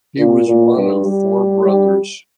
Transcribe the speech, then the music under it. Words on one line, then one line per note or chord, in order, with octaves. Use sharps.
He was one of four brothers.
A#2
A#2
G2
G3
G3